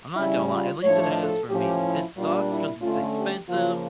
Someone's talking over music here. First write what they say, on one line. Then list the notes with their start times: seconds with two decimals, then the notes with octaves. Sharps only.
I'm not gonna lie. At least it has for me. It sucks 'cause it's expensive,
0.16 C#3 G3 C#4 E4
0.50 F4
0.82 A2 F3 A3 D4 C#5
1.17 A4
1.50 A2 F3 C#4 G4
1.82 E4
2.15 A#2 G3 D4 F4
2.49 E4
2.81 D3 A3 C#4 F4
3.16 G4
3.48 C#3 F3 A#3 F4